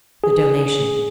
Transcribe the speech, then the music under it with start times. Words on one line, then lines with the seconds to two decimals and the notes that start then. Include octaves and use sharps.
The Donation.
0.24 G#4